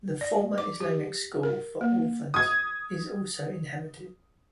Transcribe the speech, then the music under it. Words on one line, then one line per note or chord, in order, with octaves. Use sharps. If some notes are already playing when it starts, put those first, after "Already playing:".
The former Islamic school for orphans is also inhabited.
D5
D6
G4
A#4
A#3
D#6 G#6